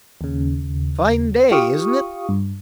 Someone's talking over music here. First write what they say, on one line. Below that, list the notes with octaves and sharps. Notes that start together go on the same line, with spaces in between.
"Fine day, isn't it?"
D#2 C#3
F4 G4 F5 C#6 D#6
G2